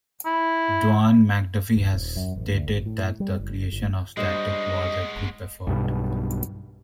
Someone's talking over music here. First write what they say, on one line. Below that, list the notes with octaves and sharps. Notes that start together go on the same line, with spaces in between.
Dwayne McDuffie has stated that the creation of Static was a group effort.
E4
D#1
D#1
F#2
A1
D2
G#1
A2
G3
F#1
G1
G3 G#3 D4 F#4 C5 D#5
B1 G2 B2